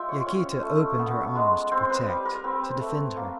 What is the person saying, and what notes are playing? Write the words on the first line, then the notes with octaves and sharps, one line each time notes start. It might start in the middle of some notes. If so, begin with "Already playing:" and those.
Yaquita opened her arms to protect, to defend her.
Already playing: G#3 F4 E5 G5
C#5
C#4 C#5
A3
B3
G#3
C4 C5
B4
G3
A#4
C4 B4
A3
A#3